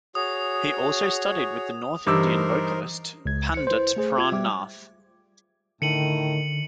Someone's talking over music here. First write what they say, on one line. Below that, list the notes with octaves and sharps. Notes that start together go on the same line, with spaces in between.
He also studied with the North Indian vocalist Pandit Pran Nath.
F#4 G#4 C#5 D#6
G2 E3 D#4 G4 A#4 C5 D6 E6
C#2 G#6
C5 C#7
E4 B4 C5
A3 G#4 C5
F4 G#6
G3 E5 G5 D6
A2 D3 D#3 C#7 D#7 F#7